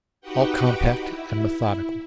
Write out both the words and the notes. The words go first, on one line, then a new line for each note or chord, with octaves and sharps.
All compact and methodical.
D#4 F#4 G4 B4 F#5 G5
E4